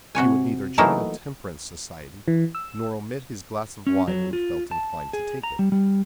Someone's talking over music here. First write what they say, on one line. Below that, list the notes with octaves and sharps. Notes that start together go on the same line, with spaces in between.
He would neither join a temperance society, nor omit his glass of wine when he felt inclined to take it.
C3 F#4 C#5 G#5
E3 F#3 A3 A#3 D#4 E4
E3
E6
C#4
F#3
F4
A5
G#4
A#5
G3
G3